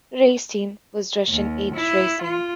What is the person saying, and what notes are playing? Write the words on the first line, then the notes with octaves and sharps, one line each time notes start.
Race team was Russian Age Racing.
D#2
E4
F4